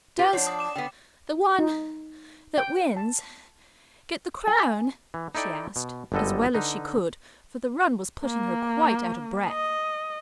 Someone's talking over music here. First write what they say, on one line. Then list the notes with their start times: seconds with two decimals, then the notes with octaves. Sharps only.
'Does--the one--that wins--get the crown?' she asked, as well as she could, for the run was putting her quite out of breath.
0.19 F4 G4 B4
0.33 F3 D4 C#5 F#5 C7
0.47 D#6
0.59 D6 E7
0.76 D3 B3 G5
1.59 D#4
2.58 G5
2.96 A5
4.47 G#5
5.14 E3
5.35 D#4 E4 A4 D5 G5
5.76 B2
6.12 G1 F#2 D3 G3 A4 D#5
6.54 D3 D#4 B4
8.23 A#3
9.49 D#5